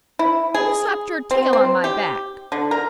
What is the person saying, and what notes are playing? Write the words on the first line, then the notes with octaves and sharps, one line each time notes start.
"You slapped your tail on my back!"
E4
G#4
C4
C4
G4
D3
A#4